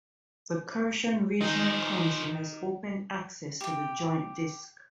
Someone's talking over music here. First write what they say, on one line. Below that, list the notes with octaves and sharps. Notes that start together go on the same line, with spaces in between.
The Kherson Regional Council has opened access to the joint disk.
D#3 F3 D#4 G#4
G4 G5